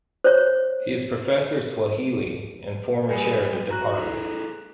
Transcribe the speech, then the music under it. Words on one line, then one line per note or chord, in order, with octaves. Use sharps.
He is Professor of Swahili and former chair of the Dept.
C5 C#5
G3 G#3 G4 G#4 B4 G#5
F#4 A#5 F#6
E4 G#4 A4